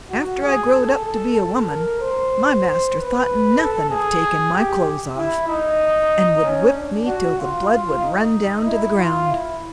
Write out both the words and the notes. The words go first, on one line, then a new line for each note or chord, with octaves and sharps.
After I growed up to be a woman my master thought nothing of taking my clothes off, and would whip me until the blood would run down to the ground.
F#4
G#4
A4
A4
A4
A#4
C5
B4
A4
G#4
G4
E4
D#4
C#4
D4
F#4
F4
F4
D#4
E4
F4
E4